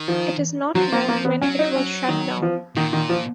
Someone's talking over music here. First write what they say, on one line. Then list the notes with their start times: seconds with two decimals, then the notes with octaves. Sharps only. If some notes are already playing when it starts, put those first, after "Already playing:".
It is not known when it was shut down.
Already playing: D#3
0.08 F3
0.75 F3 F#3
0.92 A#3
1.08 A#3
1.25 B3
1.42 F#3 C#4
1.59 D#4
1.76 C#4
2.08 D#3
2.42 F3
2.75 A#2 D#3
2.93 D#3
3.09 F3